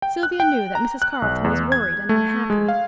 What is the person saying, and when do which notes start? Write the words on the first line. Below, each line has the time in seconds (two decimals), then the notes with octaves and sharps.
Sylvia knew that Mrs. Carleton was worried and unhappy.
0.02 G5
0.23 F#6
0.40 G5
0.75 A#5
1.02 F#6
1.22 B1
1.44 E2
1.72 G#6
2.09 A3
2.50 G#3
2.68 F5